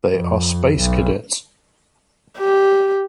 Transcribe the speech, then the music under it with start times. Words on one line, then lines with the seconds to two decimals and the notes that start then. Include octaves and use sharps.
They Are Space Cadets.
0.15 F2
0.77 B1
2.38 G4